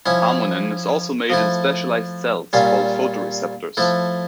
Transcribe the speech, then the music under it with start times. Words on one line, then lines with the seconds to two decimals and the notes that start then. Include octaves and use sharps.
Harmonin is also made in specialized cells called photoreceptors.
0.06 F3 C#4 E4
1.30 F3 A3 E4
2.53 A#2 G3 C#4 F4
3.77 F3 A3 E4